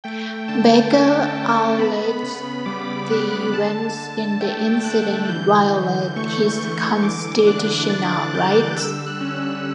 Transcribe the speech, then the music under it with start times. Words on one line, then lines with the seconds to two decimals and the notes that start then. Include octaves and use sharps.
Baker alleges the events in the incident violated his constitutional rights.
0.04 A3 G5
0.48 D3 A5
0.91 C#4
1.35 D3
1.78 B3 B5
2.09 B5
2.23 C#3
2.66 G3 D6
3.10 G3 F#6
3.53 D3 A5
3.97 D3 A5
4.41 A3 G5
4.84 D3 F#6
5.29 E3 G6
5.72 E3
6.16 A3 C#6
6.59 E3 C#6
6.94 C#6
7.03 D3 D6
7.46 D4 F#6
7.90 D3 A6
8.34 G3 G6
8.77 D3 E6
9.06 F#6
9.21 C#4
9.35 E6